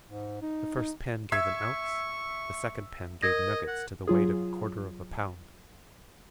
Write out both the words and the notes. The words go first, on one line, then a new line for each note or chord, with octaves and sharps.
The first pan gave an ounce; the second pan gave nuggets to the weight of a quarter of a pound.
G#2
D#4
D#4
E5 C#6 E6 G#6
A#4 D#5 G#6 A#6
F#5
F#3 F4 G#4